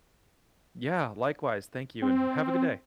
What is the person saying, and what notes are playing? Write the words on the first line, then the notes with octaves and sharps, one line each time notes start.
Yeah, likewise, thank you and have a good day.
C4